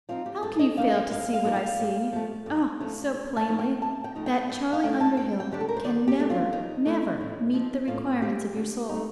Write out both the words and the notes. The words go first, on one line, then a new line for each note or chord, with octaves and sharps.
How can you fail to see, what I see, oh! so plainly, that Charley Underhill can never, never meet the requirements of your soul.
F3 C4 D#4 F4
G4
G2 A4
D#5
F3 A#3 D#4 F5
G5
G2 F5
F5
F3 A#3 D#4
F5
G2
F3 A3
G2
F3 A3
C3
A5
F3 A3 D#4
G5
C3 A5
G5
F3 A3 D#4
G5
G2 G5
F5
D3 A3 D4 G5
A5
G2 G5
G5
D3 A3 D4 G4
A4
A#4
C5
D#3 D5
G4
A3 D4
F4
D#3 D#4
A3 D4
A2
F3 C4
A2 F4
F3 C4 G4
D3
A3 C4 D#4